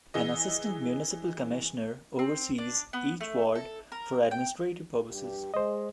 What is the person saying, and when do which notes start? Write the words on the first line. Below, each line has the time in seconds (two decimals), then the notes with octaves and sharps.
An assistant municipal commissioner oversees each ward for administrative purposes.
0.14 E3 G#4 D#5
2.19 C4
2.58 D4
2.93 B3
3.21 A3
3.55 A4
3.92 A#4
4.31 G5
5.10 G2 G4
5.54 G#3 C5 D#5